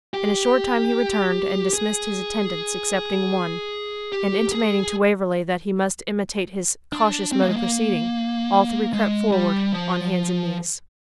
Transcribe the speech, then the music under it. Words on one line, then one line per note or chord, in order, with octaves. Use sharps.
In a short time he returned, and dismissed his attendants excepting one; and, intimating to Waverley that he must imitate his cautious mode of proceeding, all three crept forward on hands and knees.
G4
G#4
G4
G#4
D4
C4
A#3
G#3
A#3
G#3
G3
F3